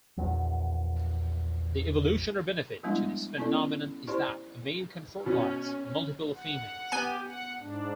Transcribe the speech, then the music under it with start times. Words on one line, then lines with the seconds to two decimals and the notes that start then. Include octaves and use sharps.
The evolutionary benefit to this phenomenon is that a male can fertilize multiple females.
0.17 A#1 E2 F#3
2.83 F3 G3 G#3 B3 D4 E4
3.38 B3 C#4 E4 A4 D5
4.07 E4 G4 C5 D5 C6
5.26 B2 C#4
6.35 F#5
6.92 B3 G4 G#5
7.26 F#5
7.60 G#2 D4